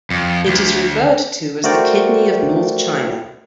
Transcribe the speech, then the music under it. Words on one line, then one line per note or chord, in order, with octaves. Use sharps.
It is referred to as the Kidney of North China.
F2
D2
A3 F#4 A#4 C5 D5 G5